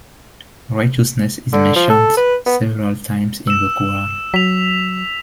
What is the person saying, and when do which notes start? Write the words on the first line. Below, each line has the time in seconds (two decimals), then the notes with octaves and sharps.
Righteousness is mentioned several times in the Qur'an.
1.53 D3
1.76 F3
1.90 A4
2.17 B4
2.46 B3
3.47 E6 E7
4.34 F#3 B6 F7